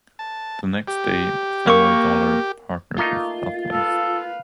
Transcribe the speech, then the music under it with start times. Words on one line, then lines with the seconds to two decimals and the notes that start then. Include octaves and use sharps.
The next day, Family Dollar partnered with Healthways.
0.19 A5
0.88 G4
1.67 A#3 A#4 F5 C#6 D6
2.98 A3 A#3 D#4 F4
3.72 A4 B4 F5